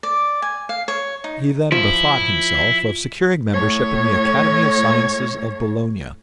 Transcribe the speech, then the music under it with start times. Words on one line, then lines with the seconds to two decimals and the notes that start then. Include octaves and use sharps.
He then bethought himself of securing membership in the Academy of Sciences of Bologna.
0.03 D5
0.42 G#5
0.69 F5
0.88 C#5
1.24 D#4
1.72 F3 E4
3.53 A2 C#5